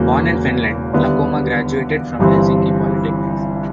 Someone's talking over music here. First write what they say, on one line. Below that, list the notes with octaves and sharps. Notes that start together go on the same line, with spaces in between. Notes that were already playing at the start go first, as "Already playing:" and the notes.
Born in Finland, Lakomaa graduated from Helsinki Polytechnics.
Already playing: E1 E2 C#3 F#3 A#3
D#2 D3 G3 B3 E4
G1 G2 E3 G3 C4